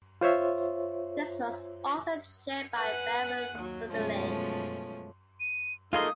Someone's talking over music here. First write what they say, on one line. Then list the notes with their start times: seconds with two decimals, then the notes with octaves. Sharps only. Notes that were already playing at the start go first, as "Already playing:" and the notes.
This was also chaired by Baron Sudeley.
0.21 F4 C5 C#5 E5
2.75 B4 F#5 G#5 F#6
3.56 D#2 F#3
3.92 F#2 B2 F3 G#3 A3 C#4
5.40 D#7
5.93 A3 A#3 D#4 F4 G#4 F5 C6 D#6